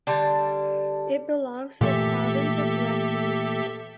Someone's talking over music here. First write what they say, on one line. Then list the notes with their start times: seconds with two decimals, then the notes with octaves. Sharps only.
It belongs to the province of Lecce.
0.07 D3 G3 D4
1.81 A#2 E3 A3 G4 A4 E5